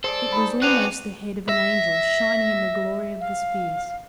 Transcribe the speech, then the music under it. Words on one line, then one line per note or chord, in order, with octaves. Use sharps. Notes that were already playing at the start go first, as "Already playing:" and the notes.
It was almost the head of an angel shining in the glory of the spheres.
G#3 A4 C5 D5
D#4 B5
B3 C4 D4 F#4 G#5 F#6 D#7 F7
E5 A#6
F5